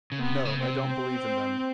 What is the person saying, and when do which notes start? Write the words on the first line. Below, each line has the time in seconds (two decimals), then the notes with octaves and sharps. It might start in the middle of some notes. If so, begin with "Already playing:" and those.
No, I don't believe in them.
0.12 C#3
0.19 C3 B3
0.45 C#3
0.57 C3 C4